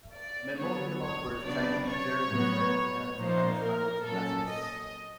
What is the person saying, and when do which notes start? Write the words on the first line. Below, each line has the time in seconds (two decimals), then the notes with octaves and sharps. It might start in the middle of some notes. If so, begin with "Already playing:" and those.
Memorial offers Chinese, German, French and Spanish language classes.
0.15 D5
0.58 D3 F#3 B3 C#5
1.02 C#5
1.45 C#3 F#3 B3 D4 D5
1.88 C#5
2.31 A2 F#3 B3
3.18 A#2 F3 A#3 D#4 C5
3.62 A#4
4.06 A#2 F#3 A#3 C#4 A4
4.49 D#5